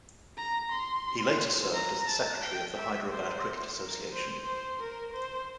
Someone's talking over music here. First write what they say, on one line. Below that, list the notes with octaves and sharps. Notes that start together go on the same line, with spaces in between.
He later served as the secretary of the Hyderabad Cricket Association.
A#5
C6
A#5
A5
G5
E5
C5
A#4
C5
C5
A#4
C5